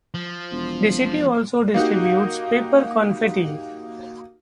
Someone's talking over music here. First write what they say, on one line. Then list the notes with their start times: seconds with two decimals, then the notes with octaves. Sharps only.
The city also distributes paper confetti.
0.14 F3
0.52 E1
1.74 A#3 D#4 F#4 G4